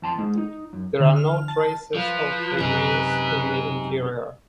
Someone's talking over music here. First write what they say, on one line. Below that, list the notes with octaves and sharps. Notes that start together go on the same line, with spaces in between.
There are no traces of remains in the interior.
F2 A5 C6
G#3 D#4
D#4
F#2
D3
F6
A5
F3 B4
F#2 C3 D#4 G#4